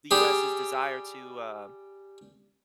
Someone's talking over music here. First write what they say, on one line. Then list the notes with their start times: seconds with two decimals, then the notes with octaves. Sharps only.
the US's desire to, uh
0.11 G3 G4 G#4